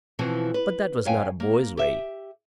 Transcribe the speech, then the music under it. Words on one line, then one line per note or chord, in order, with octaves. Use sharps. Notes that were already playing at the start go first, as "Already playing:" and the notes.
But that was not a boy's way.
B2 E3 F3 C4
B4
F#2 C#5 F5 G5 G#5
A#3
G4 E5